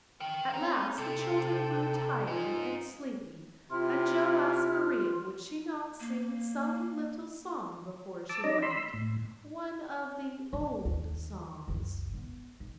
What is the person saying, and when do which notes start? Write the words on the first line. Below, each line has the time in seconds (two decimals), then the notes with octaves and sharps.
At last the children grew tired and sleepy and Joe asked Maria would she not sing some little song before she went, one of the old songs.
0.20 A#4 G5
0.54 C4 C#4 D#4
0.98 C3 A4 G5
2.27 D#4 F4 G#4
3.71 C3 E4 F4 F6
6.00 A#3
8.29 A5 D6 E6
8.44 C#4 D#4 D5 D#5 A#5
8.62 B5 C6 E6
8.94 A2
10.53 E2
10.85 D#2
11.68 F#1 C#2
12.14 B3
12.60 D#3